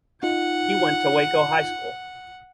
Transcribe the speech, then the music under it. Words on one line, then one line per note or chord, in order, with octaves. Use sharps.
He went to Waco High School.
D#4 F4 F#5